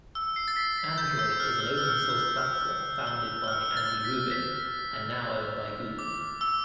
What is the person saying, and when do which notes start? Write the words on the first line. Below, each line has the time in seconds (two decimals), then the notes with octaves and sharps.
Android is an open-source platform founded by Andy Rubin and now owned by Google.
0.15 E6
0.36 C7
0.48 A6
0.56 B6
0.78 B6
0.98 G6
1.19 E6
1.40 F6
1.60 E6
1.78 E6
1.81 F6
2.10 G6
2.37 F6
2.65 F6
3.07 E6
3.44 E6
3.48 F6
3.77 A6
4.05 B6
4.31 B6
5.99 D6
6.41 E6